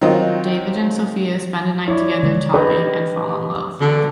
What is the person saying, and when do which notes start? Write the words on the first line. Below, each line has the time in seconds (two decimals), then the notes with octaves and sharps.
David and Sofia spend a night together talking and fall in love.
0.02 D#3 F#3 C4 D#4 F4
1.88 E4 C#5 D5
2.23 D3 F3 G#3
2.54 D4 G4 B4 D#5 G5
3.81 E2 D3 F#4